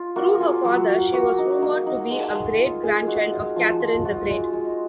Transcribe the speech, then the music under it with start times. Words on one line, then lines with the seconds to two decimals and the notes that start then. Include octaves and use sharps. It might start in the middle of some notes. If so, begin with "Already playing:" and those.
Through her father she was rumoured to be a great-grandchild of Catherine the Great.
Already playing: F4
0.16 A#3 F#4
0.40 F4 G#4
0.65 F#3
0.89 F#3
1.13 A#3 F#4
1.38 D#4
1.62 A#3
1.87 D#4
2.10 G#3
2.35 G#3
2.59 F4
2.83 G#3 G#4
3.07 G#3 F#4
3.32 F4
3.56 F3
3.80 F3
4.05 F4 F#4
4.29 G#3
4.53 G#3